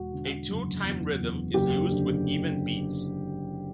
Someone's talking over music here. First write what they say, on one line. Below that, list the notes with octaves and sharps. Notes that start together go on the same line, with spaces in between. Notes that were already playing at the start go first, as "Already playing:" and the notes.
A two-time rhythm is used with even beats.
Already playing: E1 F#4
D3
F#1
E2
E2
F#1 G4
D3